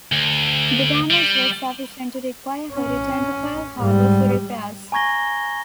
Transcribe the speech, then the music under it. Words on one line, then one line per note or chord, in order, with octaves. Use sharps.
The damage was sufficient to require her return to Pearl Harbor for repairs.
D2
G3
C#4
G#2 G3
G#5 A#5 C#6 G#6 A#6 G7